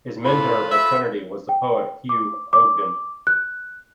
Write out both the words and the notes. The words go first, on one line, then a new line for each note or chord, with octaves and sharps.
His mentor at Trinity was the poet Hugh Ogden.
A2 F4 A4 B4 F5 B5
E5
G5
D6
D6
F#6